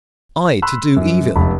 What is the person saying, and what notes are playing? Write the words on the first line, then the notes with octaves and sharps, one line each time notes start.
I, to do evil!
B5 C6 E6 F#6
F#2
F1 C#2 A5 B5